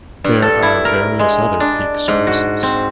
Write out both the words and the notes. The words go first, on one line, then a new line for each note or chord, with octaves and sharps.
There are various other peak services.
G2
A4
E4
A#4
G#3
D4
G#2
F#4
C4